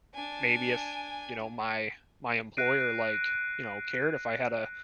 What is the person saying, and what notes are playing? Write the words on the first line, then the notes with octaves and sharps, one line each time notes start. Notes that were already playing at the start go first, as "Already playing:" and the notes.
maybe if you know, my my employer, like, you know, cared if I had a
D4 G#5
F#6 A#6 C7 D7 D#7